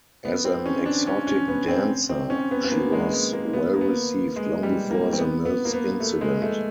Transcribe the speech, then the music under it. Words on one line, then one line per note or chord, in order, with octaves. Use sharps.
As an exotic dancer she was well received long before the Mills incident.
B3
C4
C#4
D4
C#4
C#4
B3
C4
C4
C#4
B3
B3
A#3
G#3
G#3
A#3
B3
A#3
B3
G#3
G3
A#3
C4
B3
B3
A#3
B3
A3
G#3
A3